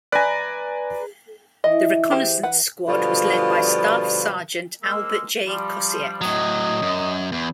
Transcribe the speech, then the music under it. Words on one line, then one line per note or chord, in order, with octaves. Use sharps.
The reconnaissance squad was led by Staff Sergeant Albert J. Kosiek.
B4 D5 G#5 A#5
E3 D#5
G4 G#4 C5
B4 F#5
B2 D3 F3 G3 F4
G#3 A#3 E6
F3 G3
A2 F#3 D#5
F#2
E2